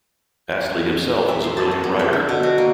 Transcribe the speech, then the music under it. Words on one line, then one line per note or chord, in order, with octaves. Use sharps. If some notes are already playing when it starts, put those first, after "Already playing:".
Astley himself was a brilliant rider.
E5
C5
A5
D#5
B3
E5
D3
B2
F#4
A#3